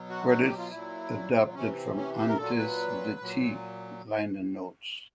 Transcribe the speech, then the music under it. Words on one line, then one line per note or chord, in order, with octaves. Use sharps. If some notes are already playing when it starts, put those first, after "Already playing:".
Credits adapted from "Antes de Ti" liner notes.
Already playing: B2 F#3
F#4
F#4
G4
F4
A#2 F#3 E4
C3 E3 C#4
C4
C#4
G4
A#4
A#2 F#3 A4
B4
A#2 F#3